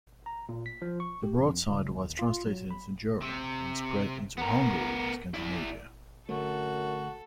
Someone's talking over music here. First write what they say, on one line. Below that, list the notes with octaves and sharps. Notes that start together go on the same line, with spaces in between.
The broadside was translated into German, and spread into Hungary and Scandinavia.
A#5
A#2
B6
F3
C#6
G4
F2
C#2
D#2
F4
F#3
B5
C3
B3 A#4
E4 D5
F#2 D3 A3 F#4 A4